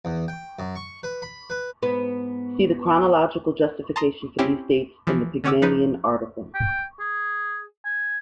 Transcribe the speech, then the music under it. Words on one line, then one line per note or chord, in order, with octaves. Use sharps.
See the chronological justification for these dates in the Pygmalion article.
E2
G5
F#2
C#6
B4
B5
B4
G#2 B3 B4
A5 A#5 C6 D#6 A#6
C4 C#4 E4 G4
E3 F3
D3 C#4 C#5 F#5 D6 E6
F3 D#4 B4
G5
G#4
G#5